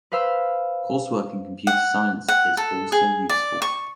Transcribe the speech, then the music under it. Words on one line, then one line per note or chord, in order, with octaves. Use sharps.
Coursework in computer science is also useful.
B4 C5 F5 B5 E6
F#5
F#5
A4
G#4
D5
C#6